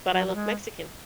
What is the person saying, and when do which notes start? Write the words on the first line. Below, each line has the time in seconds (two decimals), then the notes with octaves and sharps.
But I look Mexican.
0.12 F#3
0.27 F#3
0.35 G#3